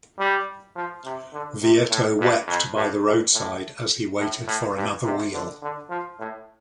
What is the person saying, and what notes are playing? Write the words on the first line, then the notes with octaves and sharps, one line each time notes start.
Vietto wept by the roadside as he waited for another wheel.
G3
F3
C3
D3
C3
A2
G2
F2
G2
G2
A2
A2
A2
G2
C3
D3
D3
F3
A2